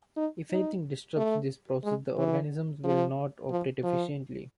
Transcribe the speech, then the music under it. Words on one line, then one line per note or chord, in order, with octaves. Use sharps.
If anything disrupts this process, the organism will not operate efficiently.
D#4
D#4
A3
G#3
E3
F3
F3
F3